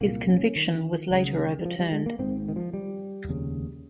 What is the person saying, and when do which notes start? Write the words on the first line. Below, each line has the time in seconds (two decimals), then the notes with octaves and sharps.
His conviction was later overturned.
0.01 C2 A#2 A#3
0.29 C#4
0.56 D#3
1.10 C#2 C#3
1.59 G3
1.65 F3
1.79 G3
1.92 G#3
2.06 A#3
2.19 G#1 G#2 C4
2.48 D#3
2.56 F3
2.73 G3
3.28 F1 D#2 C#3